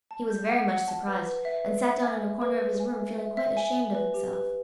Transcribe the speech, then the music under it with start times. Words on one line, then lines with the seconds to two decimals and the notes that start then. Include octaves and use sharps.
He was very much surprised, and sat down in a corner of his room feeling quite ashamed of himself.
0.11 A5
0.30 G6
0.49 F#5
0.68 F#5
0.88 A5
1.07 B4
1.26 B4
1.45 E5
1.65 B4
1.84 E5
2.03 G#5
2.22 E5
2.42 B4
2.60 B4
2.80 G#5
2.99 E5
3.18 E5
3.37 E5
3.57 G#5
3.76 E5
3.95 B4
4.14 G4
4.33 B4